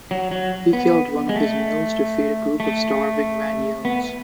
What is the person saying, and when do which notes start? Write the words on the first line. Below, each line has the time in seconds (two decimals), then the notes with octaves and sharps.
He killed one of his mules to feed a group of starving Vanyumes.
0.11 F#3
0.31 F#3
0.73 B3
1.29 G#3
1.36 A3
2.60 A3
3.85 B3